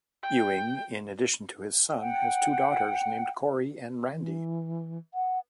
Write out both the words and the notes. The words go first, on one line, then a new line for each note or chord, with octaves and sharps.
Ewing, in addition to his son, has two daughters named Corey and Randi.
G5
F#5 G5
E3
F#5